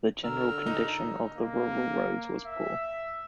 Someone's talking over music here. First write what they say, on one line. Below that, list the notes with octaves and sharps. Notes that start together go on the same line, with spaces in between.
The general condition of the rural roads was poor.
D3 A#4 E6 F6
D#4
A#3
E5